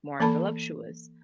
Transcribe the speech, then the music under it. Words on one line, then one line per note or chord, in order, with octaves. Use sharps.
more voluptuous,
E3 A#3 A4 A5 B5